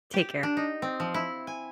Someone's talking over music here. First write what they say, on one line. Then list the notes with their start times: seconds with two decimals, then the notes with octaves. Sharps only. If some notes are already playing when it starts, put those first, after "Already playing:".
Take care.
0.14 G4
0.43 D4
0.57 D#4
0.82 C4
1.00 F3
1.14 E4
1.47 G#5